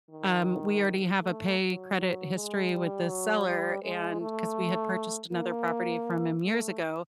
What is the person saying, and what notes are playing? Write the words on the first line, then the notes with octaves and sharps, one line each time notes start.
um, we already have a pay credit history with the seller and 'cause we had purchased another property from him years ago,
D#3
A3
F#3
F#3
G#3
G3
F#3
G3
G#3
A3
A#3
A3